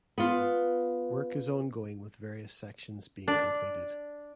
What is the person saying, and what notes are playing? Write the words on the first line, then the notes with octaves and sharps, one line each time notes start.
Work is ongoing with various sections being completed.
B3 F4
D4